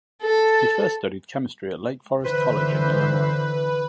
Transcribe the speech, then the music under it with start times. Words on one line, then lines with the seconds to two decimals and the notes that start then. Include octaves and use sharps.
He first studied chemistry at Lake Forest College in Illinois.
0.22 A4
2.24 D3 E3 B4 C5